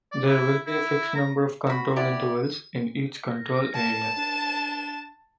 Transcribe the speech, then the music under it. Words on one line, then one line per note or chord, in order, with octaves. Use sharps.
There will be a fixed number of control intervals in each control area.
D5
E4
E4
A#5
F#4 B5
E4 G4 D5 F#5
A#4
A5 E7
D4